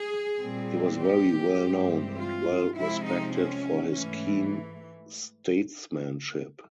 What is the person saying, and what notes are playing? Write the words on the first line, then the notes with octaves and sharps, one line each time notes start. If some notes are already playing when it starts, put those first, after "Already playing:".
He was very well known and well respected for his keen statesmanship.
Already playing: G#4
A#2 G3 C4
G4
G2 E3 G#3 C4
F4
C3 F3 G#3 C4 E4
D#4
C#4
G#2 E3 A3 C#4